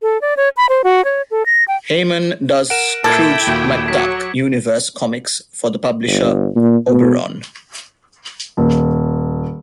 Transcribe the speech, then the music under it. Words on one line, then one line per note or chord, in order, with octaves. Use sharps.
Heyman does Scrooge McDuck universe comics for the publisher Oberon.
A4
D5
C#5
B5
C5
F#4
C#5
A4
A#6
G5
A#4 F#5 D7 E7
A#2 E4 A4 A#4 G5 D6 G#6
D#2 A#2 F#4
F#3 B6
G1
A#2
B2
D#1